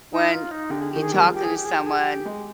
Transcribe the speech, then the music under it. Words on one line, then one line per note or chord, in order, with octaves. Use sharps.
when you talking to someone,
D#4
F4
D#4
D3 G4
G#4
G4
D#3
G#4
G3 G4
F3 G#4
G4
G#4
G4
G#4
G4
G#4
G4
G#3